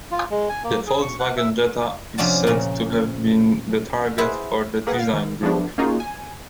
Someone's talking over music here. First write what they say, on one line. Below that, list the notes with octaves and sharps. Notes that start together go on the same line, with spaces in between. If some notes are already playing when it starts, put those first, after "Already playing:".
The Volkswagen Jetta is said to have been the target for the design group.
F4
G#3
G#5
A#3
G#4
C#6
F#5
E5
C3 F3 C#4 D4 F#4 A5
A#2 C#3 A#5
E4 G#4 B4 C5 E5 F#5
A#3 G#4 B4 F#5
F5
D#3
F3 A3 B3 D4
A#3 C#4 D#4 F4 F#4 G#4
G#5